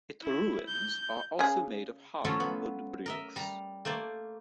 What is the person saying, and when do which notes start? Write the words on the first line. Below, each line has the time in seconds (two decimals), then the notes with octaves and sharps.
Its ruins are also made of hardened mud bricks.
0.23 E4
0.68 G6
1.39 C#3 G#4
2.24 F3 F#3 C#4 F4 A4 C#5
2.40 B3
3.06 A#4 D#5 E5
3.36 G3 A#5
3.85 A3 A#3 C5 D5